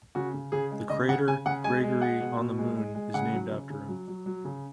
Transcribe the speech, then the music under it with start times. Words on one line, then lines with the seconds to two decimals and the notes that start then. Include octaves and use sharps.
The crater Gregory on the Moon is named after him.
0.15 C#3 F#4
0.34 C#3
0.52 C#3 G#4
0.71 G#3
0.89 C#3 D#5
1.08 C#3 F#5
1.27 C#3 G#5
1.46 C#3 F#5
1.64 G#3 G#5
1.83 G#3
2.02 G#3 F#5
2.21 B2
2.39 B2
2.58 G#3
2.76 G#3
2.95 G#3
3.14 C#3 F#5
3.33 F#3
3.52 C#3
3.70 C#3
3.88 F#3
4.08 F#3
4.26 F#3
4.45 C#3